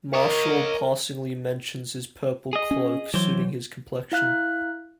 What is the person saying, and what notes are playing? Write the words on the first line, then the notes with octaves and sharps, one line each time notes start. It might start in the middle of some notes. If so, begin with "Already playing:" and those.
Martial passingly mentions his purple cloak suiting his complexion.
A#4 C#5 D#5
G#4 D#5
C#4
E3 F#3 C5
E4 F5 F#6